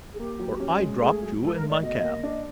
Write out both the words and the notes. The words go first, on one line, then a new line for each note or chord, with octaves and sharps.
For I dropped you in my cab.
G#4
A#3 G4
F#3
C#4
G#3
A3 G#4
F#3
G#2 A4
A#4
A3
D5
B2 D#5
A#3
D4